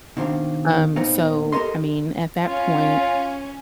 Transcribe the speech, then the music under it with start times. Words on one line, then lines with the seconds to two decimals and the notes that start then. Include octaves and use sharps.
Um, so, I mean, at that point,
0.17 B2 D#3 C4 D4 F5
0.96 A#2 B3 C4 D#4 F4
1.52 G4 A4 A#4 D#5 C6
2.45 C#4 F4 C#5